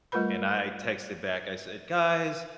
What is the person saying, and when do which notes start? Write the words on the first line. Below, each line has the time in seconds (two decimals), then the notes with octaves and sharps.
And I texted back, I said, “Guys"
0.12 G3 A3 F4 A#4 B4 B5